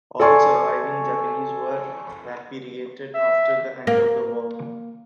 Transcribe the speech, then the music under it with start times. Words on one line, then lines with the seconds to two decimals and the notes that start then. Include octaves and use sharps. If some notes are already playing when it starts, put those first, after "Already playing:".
All surviving Japanese were repatriated after the end of the war.
0.20 A4 D5 G#5 C6 C#6
3.14 E5
3.87 A#3